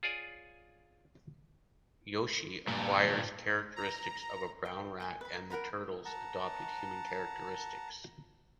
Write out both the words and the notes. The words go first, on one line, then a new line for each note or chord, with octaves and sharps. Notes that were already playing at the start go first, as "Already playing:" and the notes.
Yoshi acquires characteristics of a brown rat and the turtles adopt human characteristics.
F4 G#4 C#5 D5 G#5
G2 A#2
A#5
G5
G5 G#5
B4 B5
A#5
A#4 F#5 A#5 B5
F#5 A5 A#5